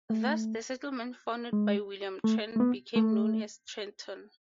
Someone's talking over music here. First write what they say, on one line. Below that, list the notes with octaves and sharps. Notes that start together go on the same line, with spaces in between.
Thus the settlement founded by William Trent became known as Trenton.
A3
G#3
A3
A3
B3
A3